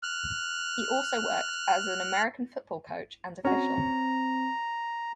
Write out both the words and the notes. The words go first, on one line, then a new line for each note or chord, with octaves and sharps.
He also worked as an American football coach and official.
F6 F#6
C4 C#4 F#4 A#5